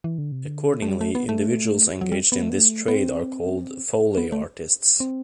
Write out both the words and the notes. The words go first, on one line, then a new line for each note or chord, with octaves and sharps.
Accordingly, individuals engaged in this trade are called "Foley artists".
E3
D3
C3
D3
A3
G3
A3
B3
A3
F#3
G3
B3
A3
B3
A3
B3
C4
B3
A3
C4